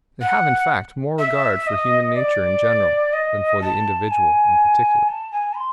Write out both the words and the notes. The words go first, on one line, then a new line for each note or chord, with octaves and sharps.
They have in fact more regard for human nature in general than for the individual in particular.
F#5
E5
D#5
D5
D#5
A5
G#5
A5
G#5
C6